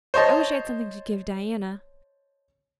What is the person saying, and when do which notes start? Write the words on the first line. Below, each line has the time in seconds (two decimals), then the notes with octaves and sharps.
I wish I had something to give Diana.
0.14 C5 C#5 D#5 A5